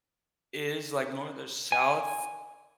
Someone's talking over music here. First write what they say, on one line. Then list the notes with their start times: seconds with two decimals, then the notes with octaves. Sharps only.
is, like north or south.
1.72 G#5